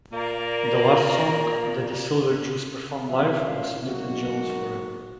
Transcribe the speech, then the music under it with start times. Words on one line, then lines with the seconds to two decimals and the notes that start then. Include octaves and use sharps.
The last song that the Silver Jews performed live was Smith and Jones Forever.
0.12 A#2 A#3 D5 A#5
3.08 E3 F3 G3 D5 E5
3.45 G#1 A#2 C#3 E4 F4 F5
3.85 F#1 G#2 A#3 F#4